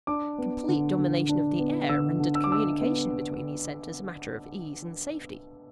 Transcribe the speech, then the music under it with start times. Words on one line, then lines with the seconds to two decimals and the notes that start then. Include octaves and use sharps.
Complete domination of the air rendered communication between these centers a matter of ease and safety.
0.07 D4 D6
0.38 B3
0.68 D3
0.98 D3
1.29 D4
1.59 B3
1.89 D3 E6
2.20 D3
2.35 E6
2.44 D6
2.50 D4 E6
2.81 B3